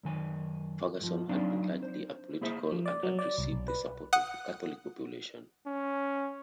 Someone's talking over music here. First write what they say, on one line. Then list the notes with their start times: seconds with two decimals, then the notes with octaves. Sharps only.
Ferguson had been largely apolitical and had received the support of the Catholic population.
0.03 F#2 D#3 G#5
1.01 G2 F3
1.29 F#3 C4 D4 D#4 D5 F5
1.83 C5
2.41 A#3 E4 G#4 C5 E5
2.72 F3
2.86 D5
3.03 F#3
3.19 D5
3.38 C2
3.52 B1
3.68 B4
4.13 F#5 D#6 F#6
5.67 C#4